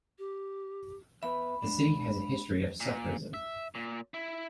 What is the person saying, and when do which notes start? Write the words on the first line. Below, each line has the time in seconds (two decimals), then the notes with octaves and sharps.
The City has a history of Sufism.
0.19 G4
1.23 B3 B4 E5 B5
1.62 G#3 D4
2.80 A#2
3.34 E5
3.75 A#2
4.14 E4